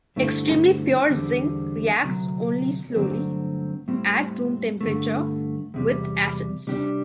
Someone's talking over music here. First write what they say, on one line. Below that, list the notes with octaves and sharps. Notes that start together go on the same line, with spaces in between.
Extremely pure zinc reacts only slowly at room temperature with acids.
G2 D3 A3 C4 E4
E2 D3 G3 C4
D2 C3 F#3
G2 D3 F#3 A3 C4
A2 G3 C4
G2 D3 A3
E2 C3 G3
C3 G3 D4 G4